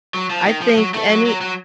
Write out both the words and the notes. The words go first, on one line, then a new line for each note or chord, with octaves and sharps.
I think any
F#3
F3
D#3
F3
F#3
A3
F#3
F#3
F#3